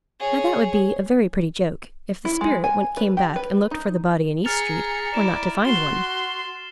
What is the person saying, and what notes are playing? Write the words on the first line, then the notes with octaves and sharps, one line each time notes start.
Now that would be a very pretty joke, if the spirit when it came back and looked for the body in East Street, were not to find one.
G#4 C#5
E4
G#3
G#5
B4
G4
B4
D#4
G#4 A#5 F6 A6 C#7 F7
E4 D5 E7
F#4 C6 C7 E7 G7